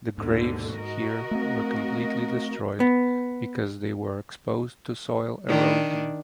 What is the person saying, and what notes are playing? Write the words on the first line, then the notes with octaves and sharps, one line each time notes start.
The graves here were completely destroyed because they were exposed to soil erosion.
D#2 G#2 B2 D3
F#4 A#4 D#5
A3 C4
B3
D#3 D4